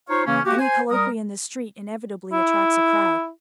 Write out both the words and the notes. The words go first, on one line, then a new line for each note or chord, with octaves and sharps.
Any colloquy in the street inevitably attracts a crowd.
D#4 F4 C5 C#5 F5 C#6
C#3 E3 A#3 C#4
A#3 F#4 G4
C5 G#5
G3 A#4 D#6
E4